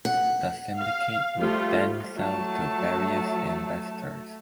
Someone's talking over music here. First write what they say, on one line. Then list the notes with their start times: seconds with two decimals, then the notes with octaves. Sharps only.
The syndicate would then sell to various investors.
0.05 F#5
0.80 F5
1.37 F3 G3 A3 F4
2.17 F#3 A3 A5